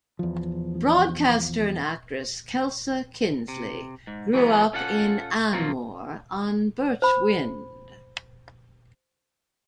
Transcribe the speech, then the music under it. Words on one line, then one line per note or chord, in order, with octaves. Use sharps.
Broadcaster and actress Kelsa Kinsly grew up in Anmore on Birch Wynd.
E2 F3
C3
G#2
E3 F#3 G#3 B3
C#4 F4 A4 F#5
F3 F#3 A#3 C4 F4
C5 B5